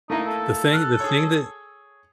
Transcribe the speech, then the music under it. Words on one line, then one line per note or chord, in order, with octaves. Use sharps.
The thing the thing that
A3 A#3 D#4 E4
A4
F6 F#6
G#4 C#5